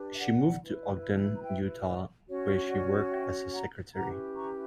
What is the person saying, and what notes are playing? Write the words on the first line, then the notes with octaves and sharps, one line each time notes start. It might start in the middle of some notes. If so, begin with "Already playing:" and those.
She moved to Ogden, Utah where she worked as a secretary.
Already playing: D4 G4 B4
E5
D5 F#5
E4 B4
A#5
E5 G5
D5
C#4 F#4 C#5
D5 F#5
E5 G5
F#5 A#5
C#4 E4 G4 B4 F#5 A#5
A#5 C#6